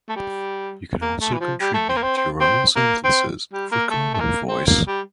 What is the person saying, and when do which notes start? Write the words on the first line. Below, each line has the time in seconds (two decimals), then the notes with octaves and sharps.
You can also contribute own sentenes for "Common Voice".
0.09 A3
0.16 G3
1.02 A#3
1.21 A3
1.33 E3
1.40 F3
1.61 G3
1.74 A3
1.89 C4
1.97 A#3
2.03 C4
2.17 C4
2.40 C4
2.76 A#3
3.04 C4
3.53 G3
3.72 A#3
3.91 A3
4.14 A3
4.20 A#3
4.49 C4
4.67 A#3
4.87 G3